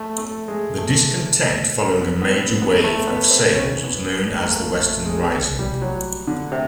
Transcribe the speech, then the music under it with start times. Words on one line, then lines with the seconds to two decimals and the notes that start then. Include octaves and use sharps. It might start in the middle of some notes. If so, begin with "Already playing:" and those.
The discontent following a major wave of sales was known as the Western Rising.
Already playing: A3
0.18 A3
0.48 G#3
0.78 A3
2.01 B3
2.22 B3
2.31 C4
2.62 B3
2.84 A3
3.07 B3
3.31 C4
3.53 C#4
3.84 B3
4.38 A#3
4.44 A3
4.75 A3
5.06 G#3
5.59 G3
5.82 F#3
6.27 D3
6.52 C3